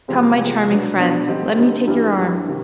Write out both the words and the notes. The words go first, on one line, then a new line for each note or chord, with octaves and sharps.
Come, my charming friend, let me take your arm.
E2 C3 F3 G#3 C4
E2 C3 F3 G#3 C4
B2 F#3 B3 D4
B2 F#3 B3 D4
D3 G3 C4 D#4
D3 G3 C4 D#4
G2 E3 G3
G2 E3 G3
C3 D#3